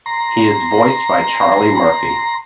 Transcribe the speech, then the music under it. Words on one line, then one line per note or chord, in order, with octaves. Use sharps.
He is voiced by Charlie Murphy.
A#5 C6